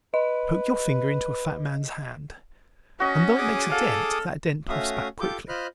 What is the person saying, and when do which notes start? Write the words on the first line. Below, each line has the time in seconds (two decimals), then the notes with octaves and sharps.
Poke your finger into a fat man's hand and though it makes a dent that dent puffs back quickly.
0.14 B4 D#5
3.00 C#4 F#4 D#5
3.38 G#4 D6 D#6
3.71 A4 F5
4.69 A3 C#4 F#4 E5 F5 D#6
5.20 F4 G4 A4 D6 G6
5.49 F4 C5 D#5 B5 F6 F#6